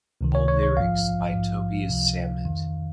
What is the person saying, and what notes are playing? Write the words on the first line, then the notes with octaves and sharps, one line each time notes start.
All lyrics by Tobias Sammet.
C#2 C3 D#3
C#5
C#5
C#5
A#1 G#2 F3 F5
A#1 G#2 F3
C#2 C3 F3
F2 D#3